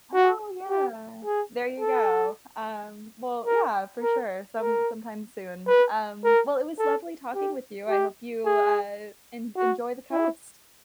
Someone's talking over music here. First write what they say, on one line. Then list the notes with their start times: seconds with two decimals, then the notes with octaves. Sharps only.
Oh, yeah. There you go. Um, well, yeah, for sure. Some sometime soon. Um, well, it was lovely talking with you, I hope you, uh, en enjoy the coast.
0.14 F#4
0.69 G4
1.25 G#4
1.80 A4
3.46 A#4
4.01 A#4
4.57 A#4
5.67 B4
6.24 A#4
6.79 A4
7.35 G4
7.89 G4
8.45 G#4
9.56 F#4
10.12 E4